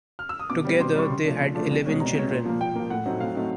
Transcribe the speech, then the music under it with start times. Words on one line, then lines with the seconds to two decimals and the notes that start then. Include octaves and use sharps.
Together they had eleven children.
0.19 F6
0.29 E6
0.40 D#6
0.50 B2 D6
0.65 G3 C4
0.80 B2 C6
0.95 G3 C4 C#6
1.10 C#3 C6
1.25 F3 A3 D4
1.40 C#3
1.55 F3 A3 D4
1.70 C2
1.85 B2 G#3 C#4
2.00 C2 A#5
2.15 B2 G#3 C#4
2.31 A#2
2.45 F3 A#3
2.60 A#2 G5
2.76 F3 A#3
2.90 A2 F#5
3.06 F#3 A3 C4 D#4
3.20 A2 F5
3.35 F#3 A3 C4 D#4